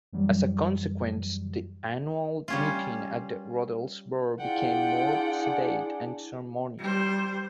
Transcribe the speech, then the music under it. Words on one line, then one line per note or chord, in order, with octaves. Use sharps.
As a consequence, the annual meeting at the Rudelsburg became more sedate and ceremonial.
F#2 E3 F#3 G3
G3 C#4 F4
D4 E4 F4 G#4 F#5 G5
G3 C5